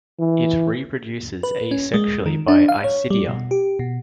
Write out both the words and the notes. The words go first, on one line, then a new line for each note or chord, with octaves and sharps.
It reproduces asexually by isidia.
E3
B4
C#4
G#3
D#3
D4
F5
C#5
G3
B2
G4
B2